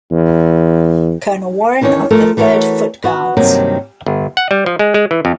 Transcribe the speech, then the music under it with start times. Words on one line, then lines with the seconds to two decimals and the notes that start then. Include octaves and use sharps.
Colonel Warren of the Third Foot Guards.
0.11 E2
1.81 E2 D#3 C#4 D4 C#5
2.11 F3 A3 A4 A#4
2.37 E3 A3 F#4 A#4 C#5
3.04 B3 F#4
3.37 G2 C3 D#3 F#3 A#3
4.06 G1
4.37 F#5
4.51 G3
4.66 F3
4.79 G#3
4.94 G#3
5.11 E3
5.25 F2